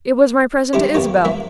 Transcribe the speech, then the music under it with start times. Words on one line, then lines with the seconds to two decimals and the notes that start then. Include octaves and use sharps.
"It was my present to Isabel."
0.73 G3 D4 E4 G4 C5
0.95 E2 A#3 G4 C#5
1.25 F3 A#3 E5